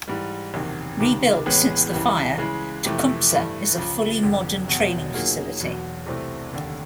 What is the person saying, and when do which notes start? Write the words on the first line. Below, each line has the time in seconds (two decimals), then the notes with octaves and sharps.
Rebuilt since the fire, "Tecumseh" is a fully modern training facility.
0.08 G#2 E3 G3
0.54 F#1 E2 C3 D#3
1.00 C#2 C3 D#3
1.46 A1 A2 E3 G#3 B3
1.93 C#2 C#3 E3 G3
2.38 C#3 E3 G#3
2.84 F2 C3 E3 A3
3.30 G2 E3 A3
3.76 C#2 C#3 F3
4.23 F1 F2 D3
4.68 E1 E2 B2 F#3
5.14 A#2 F#3 A#3 D#4 G#4
5.61 E1 E2 B2 F#3
6.06 C2 C3 E3 A3 C4
6.52 F1 D#2 D3